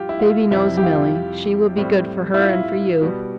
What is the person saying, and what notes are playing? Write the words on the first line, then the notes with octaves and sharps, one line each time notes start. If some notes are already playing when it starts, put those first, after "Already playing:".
Baby knows Milly; she will be good for her and for you.
Already playing: G2 F3 F4 G4
E4
F4
F2 C3 G3 C4 E4
G4
F4
A2 G3 C4
E4
F4
B2 G3 B3